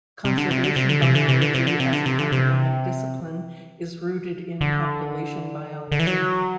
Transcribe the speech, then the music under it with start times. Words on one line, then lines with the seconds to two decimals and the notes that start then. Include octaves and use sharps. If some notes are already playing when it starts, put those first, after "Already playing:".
Conservation biology as an academic discipline is rooted in population biology.
0.25 C3
0.38 D3
0.51 C3
0.64 D3
0.76 C3
0.89 D3
1.02 C3
1.15 D3
1.28 C3
1.41 D3
1.54 C3
1.67 D3
1.80 C3
1.93 D3
2.06 C3
2.19 D3
2.32 C3
4.61 D3
5.92 D3
5.99 E3
6.07 F#3